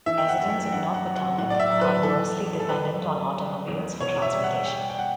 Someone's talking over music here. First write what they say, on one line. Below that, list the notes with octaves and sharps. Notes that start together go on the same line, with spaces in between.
Residents of North Potomac are mostly dependent on automobiles for transportation.
E3 E5
G5
F#5
F#2
G5
G5
G2 F#5
F#5
F#3
F#5
A2 F#5
D5
E5
F#3
B4
E3 A4
E2
A4
G3 B4
F#2
G3
E2
B2 C#5
E5
G3
F#5
G3 G5
G5
F#5